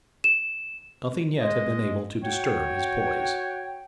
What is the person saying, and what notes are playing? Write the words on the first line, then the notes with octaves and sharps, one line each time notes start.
Nothing yet had been able to disturb his poise.
E7
G#3 D#5
F#4 C#5 G5